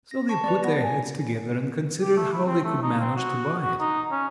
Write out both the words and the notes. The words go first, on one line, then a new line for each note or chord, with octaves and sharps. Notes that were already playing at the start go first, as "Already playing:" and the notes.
So they put their heads together and considered how they could manage to buy it.
A#6
A5 C#6
B4 D5
B3 A#6
G#5
G4
A3
E4
C4
A3
D#4
C4
F#4
F#4
D#4
C#4